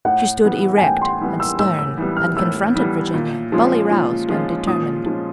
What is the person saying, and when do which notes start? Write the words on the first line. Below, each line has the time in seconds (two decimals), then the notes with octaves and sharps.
She stood erect and stern and confronted Virginia, fully roused and determined.
0.05 A2 F#5
0.44 E3 G3 B3
0.77 G#5
0.82 A2 G5
1.02 C6
1.21 E3 G3 B3
1.40 E6
1.59 A2 E6
1.79 E6
1.98 E3 G3 B3
2.17 F6
2.37 A2 E6
2.75 E3 G3 B3
3.14 A#2
3.52 F3 G#3 C#4 F4
3.91 A#2
4.29 F3 G#3 C#4 F4
4.67 A#2 D#6
5.06 F3 G#3 C#4 F4